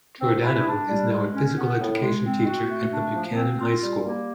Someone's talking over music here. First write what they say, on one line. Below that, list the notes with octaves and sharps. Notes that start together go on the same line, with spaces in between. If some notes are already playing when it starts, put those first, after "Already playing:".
Giordano is now a physical education teacher at Buchanan High School.
C4
E4
D4
G3
G#3
C#4
B3
A2
G#3
C4
F#4
A3
D4
F3
C4
F4
G3
A#3